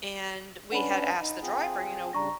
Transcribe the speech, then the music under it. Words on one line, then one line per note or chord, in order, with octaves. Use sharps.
and we had asked the driver, you know,
C#4 D4 B4 F#5 B5
D#4
C4 F4 G#4
C#3 G3 D4 A#5 C#6 A#6